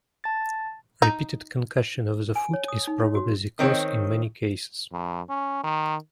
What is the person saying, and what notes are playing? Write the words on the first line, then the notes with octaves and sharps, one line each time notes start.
Repeated concussion of the foot is probably the cause in many cases.
A5 A6
D#4
G#5
C#5
D#6
D#4
C#5
F#4
D#3 C4 C#5
F2
C#4
D#3